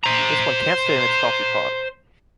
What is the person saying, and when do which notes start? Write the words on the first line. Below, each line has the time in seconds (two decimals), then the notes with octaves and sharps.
This one can’t stay in its coffee pot!...
0.04 C5 A#5